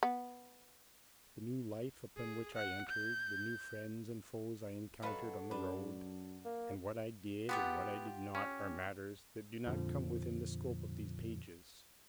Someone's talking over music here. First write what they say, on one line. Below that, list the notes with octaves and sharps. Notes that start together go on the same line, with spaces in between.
The new life upon which I entered, the new friends and foes I encountered on the road, and what I did and what I did not, are matters that do not come within the scope of these pages.
B3
G#4
F#5
G6
F#3 A4 B4 D#5 F5 F#5
F#2 D4 B4
A#3
B3 F4 G4 F#5
C#4
F2 A#2 D3 F3